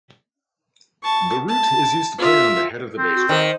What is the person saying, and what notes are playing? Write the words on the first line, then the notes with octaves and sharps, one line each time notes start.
The Rute is used to play on the head of the bass drum.
A5 C#6
A5
F4 E5
C4
F#4
D#3 C5